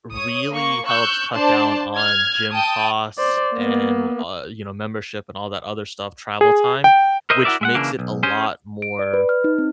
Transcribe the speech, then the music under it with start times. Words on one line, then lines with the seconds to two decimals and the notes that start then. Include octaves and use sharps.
really helps cut down on gym costs, and, uh, you know, membership and all that other stuff, travel time, which makes it a lot more,
0.14 C#5 D#6
0.52 A#3 C#6
0.86 C#6 E6 F#6 G6
1.34 D4 C5 D5 A5
1.95 F6 G#6
2.52 G5 A5 D#6
3.18 C5 D5
3.54 A#3 B3
6.41 G#4
6.84 G5
7.30 A#4 C5 D#5 E5
7.44 E4 F#4 A4 A#4 D5 E5
7.61 G#3 E5 F#5
7.75 C#3 E3 A#3 D4
7.99 B1
8.23 C#4 G#4 C5
8.82 D7
8.99 D5
9.14 B4
9.29 F6
9.44 D#4
9.58 C4